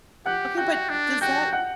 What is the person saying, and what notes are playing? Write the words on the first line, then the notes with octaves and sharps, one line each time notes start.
Okay, but does that
G4 F#5 F#6
F#4 G5 G6
D4
F#4 G5 G6
F#5 F#6